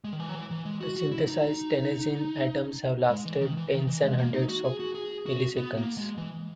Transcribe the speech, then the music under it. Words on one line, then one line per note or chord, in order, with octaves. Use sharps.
The synthesized tennessine atoms have lasted tens and hundreds of milliseconds.
G#3
D#3
E3
F#3
E3
E3
G#3
F#4
F#4
E4
D#4
G#3
E3
D#3
E3
D#3
E3
G#3
A#3
D#4
F#4
G#4
F#4
G#4
F#4
B3
A#3
G#3
E3